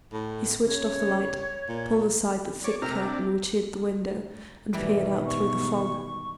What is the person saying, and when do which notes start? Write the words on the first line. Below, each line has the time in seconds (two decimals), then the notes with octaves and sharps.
He switched off the light, pulled aside the thick curtain which hid the window, and peered out through the fog.
0.13 A2
0.64 C#3 C#5
1.69 A#2
2.64 C#5 D5
2.82 C3 A#4 F6
3.02 D4
4.73 G#2 B2 D#3 E3 G3
5.27 C#6